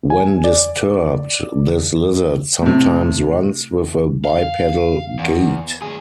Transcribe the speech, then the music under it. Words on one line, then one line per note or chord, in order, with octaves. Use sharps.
When disturbed this lizard sometimes runs with a bipedal gait.
G#5
D5
A2 C3
F5
E2
D2 G#4